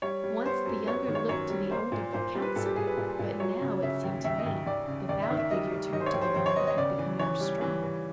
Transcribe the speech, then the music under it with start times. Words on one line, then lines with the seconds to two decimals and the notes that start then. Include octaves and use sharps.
Once the younger looked to the older for counsel, but now it seemed to me the bowed figure turned to the one that had become more strong.
0.02 G3 C#5
0.24 G3
0.45 B3 C5
0.66 F#2
0.87 B3 C#5
1.08 D#3
1.15 C#5
1.29 F#2 C#5
1.50 G3
1.71 A#3 C5
1.92 A#2
2.13 A#2 C5
2.35 G3
2.42 B4
2.56 A#2 A4
2.66 G4
2.76 A#2 G#4
2.87 B4
2.97 A#2
3.19 A#2
3.40 F#3 C#5
3.61 C#3
3.82 C#3 E5
4.04 D#2
4.24 D#2 E5
4.38 D#5
4.46 D#2
4.66 D#2 D5
4.87 C#3
5.09 D#2 D5
5.22 E5
5.30 D#3
5.37 E5
5.51 G3 D#5
5.71 G3
5.92 D#3 D#5
6.00 C5
6.06 C#5
6.13 D#2
6.21 C5
6.34 D#2 C5
6.46 C#5
6.56 B3 D#5
6.67 D#5
6.77 C#3 D5
6.98 E3
7.19 E3 C#5
7.41 G3
7.61 E3
7.83 E3